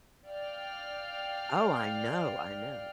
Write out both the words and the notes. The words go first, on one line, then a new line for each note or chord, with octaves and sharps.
Oh, I know, I know.
D5 F5 G5 F6